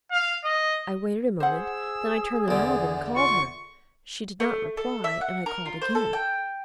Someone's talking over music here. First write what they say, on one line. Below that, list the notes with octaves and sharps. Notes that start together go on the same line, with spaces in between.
I waited a moment, then I turned the knob and called her: she did not reply and I called again.
F5
D#5
G#4 C5 F#5 E6
E2 D3
F4 C#6
A3
A4
E5
F#5
A#4
F4
C5
A4
G5